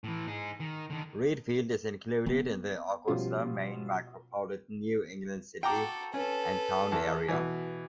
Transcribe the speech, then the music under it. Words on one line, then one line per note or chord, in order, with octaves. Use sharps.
Readfield is included in the Augusta, Maine micropolitan New England City and Town Area.
A2 E3
D#4 G#4
D#3
D3 D#3
B3 C4
B2 F3 G3 C#4 F4
F#4 A4 G5 A#5 D6
C#4 A4 B4
E2 A5
B2 E3